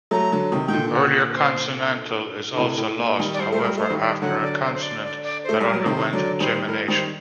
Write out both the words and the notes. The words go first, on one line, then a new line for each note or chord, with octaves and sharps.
Earlier consonantal is also lost, however, after a consonant that underwent gemination.
F#3 A3 A#5
D3 F#3
C3 D#3
D#3 G5
A#2 D3
F#5
A#4
C5
D3
A2 C3
A2
A#2
D#3 G3
D5
G3 C5
A3 C5
A#4
G3
A3 C5
D#3 G3
D5
D3 F#3 F#5
D5
C5
C5
D5
D5
D5
A3 C5
G3 A#4
F#3
D5
C3 D#3 C5
D3 F#3 D5
D#3 G3 C5
A2 A#4
D#3 G3 C5